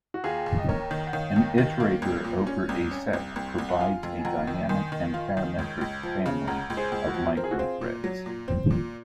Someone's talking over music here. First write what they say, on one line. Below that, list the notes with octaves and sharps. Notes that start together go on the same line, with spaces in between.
An "iterator" over a set provides a dynamic and parametric family of microthreads.
F#4
D#2 F4 G#4
D#2
D#5
D#2 A#4 C#5
D#3
F#5
D#3 C#5 F5
D#2
D#3
A#3
C2
A#2
C#4
C2
C#4
C2
C2
C2
F#5
F4 F5 G#5
F2
G#5
F2 F#5 A#5
D#3
D#3 G#5 C6
D#3
F4
D#3
C#2
C#2
F3
C#3
C#2 F#5 A#5
C#2
G#4 C5
C#2
F#4
F3
C4 A#4
G#4
F#4
C4 F4 G#4
A#2
F#3
A#2
C4
A#2